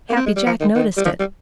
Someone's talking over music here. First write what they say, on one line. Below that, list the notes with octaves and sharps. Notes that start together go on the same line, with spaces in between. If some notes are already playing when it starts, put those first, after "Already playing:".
Happy Jack noticed it.
A#3
C4
G#3
G3
F3
D#3
D#3
G3
F3
G3